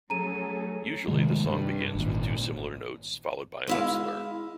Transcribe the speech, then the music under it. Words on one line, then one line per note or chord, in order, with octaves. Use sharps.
Usually the song begins with two similar notes followed by an upslur.
F#3 A3 C#4 G#4 A4 A#5 D#7
C3 D#3 G#3 A3
G2
G#1 A#2
G#3 E4 F5